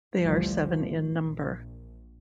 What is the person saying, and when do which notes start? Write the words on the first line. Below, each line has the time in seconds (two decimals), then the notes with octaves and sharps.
They are seven in number.
0.17 A1 D2 E3 F3 G3
1.07 A#1